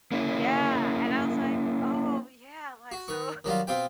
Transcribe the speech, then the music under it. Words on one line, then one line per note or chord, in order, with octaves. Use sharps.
yeah, and I was like, "Oh yeah," like, "so
A#3 C#4 E4
F#4
D#3 C#6
D#3 F#3 G3 F4
B2 C4 F4 G5